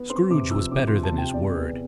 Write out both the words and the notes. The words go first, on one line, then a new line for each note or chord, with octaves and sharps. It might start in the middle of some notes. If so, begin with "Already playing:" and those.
Scrooge was better than his word.
Already playing: B3
C4 C6
C3 D6
F3 E6
C3 D6
F3 C6
A5
C3 G5
E2 D5
E2 B4